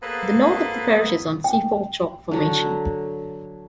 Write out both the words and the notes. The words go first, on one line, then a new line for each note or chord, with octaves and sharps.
The north of the parish is on the Seaford Chalk Formation.
A#3 B3 G#4 A4 B4 C5
G5
D3 F#3